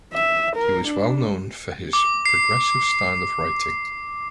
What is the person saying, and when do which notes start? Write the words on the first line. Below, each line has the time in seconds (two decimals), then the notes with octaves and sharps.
He was well known for his progressive style of writing.
0.14 E5
0.56 A#4
0.88 D4
1.93 D6
2.26 C7